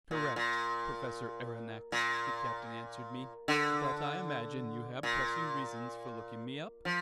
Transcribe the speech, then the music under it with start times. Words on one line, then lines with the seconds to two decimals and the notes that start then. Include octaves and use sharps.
"Correct, Professor Aronnax," the captain answered me. "But I imagine you have pressing reasons for looking me up?"
0.11 A#2
0.36 A#2
1.92 A#2
3.48 D3
5.03 A#2
6.85 F3